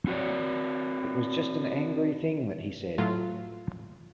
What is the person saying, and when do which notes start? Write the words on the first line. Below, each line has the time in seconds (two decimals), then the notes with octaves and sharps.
It was just an angry thing that he said.
0.07 C4 F#4 G#4 A#4 C#5 D5
2.98 A2 F#3 A3 F4